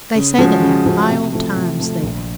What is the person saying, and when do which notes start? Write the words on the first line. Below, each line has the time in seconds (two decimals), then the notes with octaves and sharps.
They say they have high old times there.
0.15 C#3
0.39 F3 G#3 C#4 F#4
0.62 C#3
0.86 F3 G#3 C#4 F#4
1.09 C3
1.32 F3 A3
1.56 C3
1.80 F3 A3
2.03 A#1